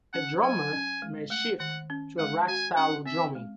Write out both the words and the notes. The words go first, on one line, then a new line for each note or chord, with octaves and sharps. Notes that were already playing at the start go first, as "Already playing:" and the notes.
A drummer may shift to a rock style of drumming.
C#4 F#5
F#3 G#5
C#4
G#3
A3 F#5
D#3 F#5
C#4
G#3 F#5
F#4 G#5
C#4 F#5
C4 E5
G#3